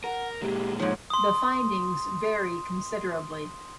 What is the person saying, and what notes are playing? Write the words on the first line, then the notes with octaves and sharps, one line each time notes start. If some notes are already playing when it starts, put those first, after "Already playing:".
The findings vary considerably.
A#4 F#5
A#2 G#3 G4
G#2 F3 C#5
C6 D#6